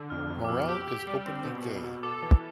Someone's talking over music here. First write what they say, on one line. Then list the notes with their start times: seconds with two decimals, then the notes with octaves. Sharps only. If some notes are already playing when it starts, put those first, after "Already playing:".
Morel is openly gay.
Already playing: D3
0.10 F2 F6
0.30 F2
0.44 D6
0.49 B2 E6
0.69 G4
0.88 G4
1.07 G3
1.26 C4
1.45 B2
1.64 B2
1.84 B2
2.03 A4 D6
2.22 E3